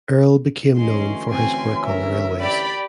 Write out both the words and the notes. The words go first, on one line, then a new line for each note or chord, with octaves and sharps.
Earle became known for his work on the railways.
D2 E3 G#3 C#4 C6
C4 G#5 C6
A#4 E5
G4 D5 B5